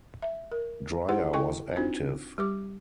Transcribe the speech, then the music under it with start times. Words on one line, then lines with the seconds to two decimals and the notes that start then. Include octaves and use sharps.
Dreyer was active.
0.22 E5
0.51 A#4
1.09 E4 G4 G#4 C5 F#5 C6
1.33 E4 A4 D#5 G5 G#5 C#6
1.77 C4 D4 D#4 F4 F#4 C5
2.38 G3 G4 D6